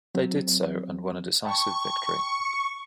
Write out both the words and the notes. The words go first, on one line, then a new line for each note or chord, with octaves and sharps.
They did so and won a decisive victory.
F#3 C4
G5 A5 B5 C#6